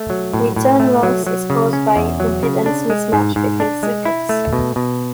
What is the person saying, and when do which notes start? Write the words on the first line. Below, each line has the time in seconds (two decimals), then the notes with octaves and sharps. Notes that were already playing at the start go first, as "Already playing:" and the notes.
Return loss is caused by impedance mismatch between circuits.
Already playing: A3
0.10 F#3
0.33 A2
0.56 A2
0.80 A3
1.03 F#3
1.27 F#3
1.50 C#3
1.73 C#4
1.96 E2
2.20 F#3
2.43 C#3
2.66 D4
2.90 G#3
3.13 G#2
3.36 G#2
3.60 D4
3.83 G#3
4.05 E4
4.29 A3
4.53 B2
4.76 B2